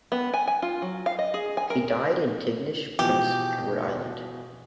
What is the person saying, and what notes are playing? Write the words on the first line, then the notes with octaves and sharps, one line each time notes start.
He died in Tignish, Prince Edward Island.
B3
G#5
G#5
F4
F#3
F5
D#5
G#4
G#5
A#4
B2 E3 F3 G4